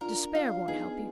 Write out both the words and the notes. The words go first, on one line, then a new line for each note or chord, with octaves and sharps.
Despair won't help you.
D4 F4 A#4
D4 F4 F5
B3 D#4 G#4